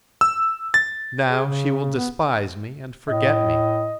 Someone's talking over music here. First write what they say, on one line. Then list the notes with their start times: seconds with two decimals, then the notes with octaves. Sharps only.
Now she will despise me and forget me.
0.21 E6
0.74 A6
1.29 G#4
1.46 C#3
1.97 B3
3.09 A2 D#5